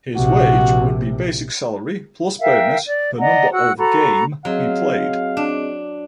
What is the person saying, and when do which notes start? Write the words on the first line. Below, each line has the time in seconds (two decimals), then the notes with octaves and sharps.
His wage would be basic salary plus bonus per number of game he played.
0.16 A#1 C3 F#4
2.40 A#4 E5 F5 G5
2.86 D5
3.19 D5 D#5 F#5 A#5
3.52 F#4 F#5 E6 F#6
3.78 F#4 A4 A#5 B5
4.45 F#3 C4 G#4 D#5 F5
5.37 D4